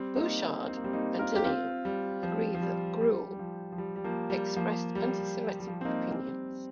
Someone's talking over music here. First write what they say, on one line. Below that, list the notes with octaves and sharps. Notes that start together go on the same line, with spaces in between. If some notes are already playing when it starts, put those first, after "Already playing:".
Bouchard and Delisle agree that Groulx expressed antisemitic opinions.
Already playing: G3 C4
A#3 D#4
C4
A#3
G3 C4
A#3 D#4
F4 A#4
G4
C4 F4
G3
F3
F3
G3
G3
G3
F3
F3
G3
G3
F3 A#3
G3
F3 A#3
G3
G3
F3
G3
C4
A#3 D#4
G3 C4